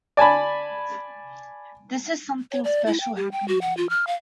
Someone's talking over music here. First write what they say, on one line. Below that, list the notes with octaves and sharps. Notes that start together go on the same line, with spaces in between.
This is something special happening here.
D5 G#5 A5 B5
C#5
D5
E4
G5
G4
G5
F#4
F#5
F4
F6
F5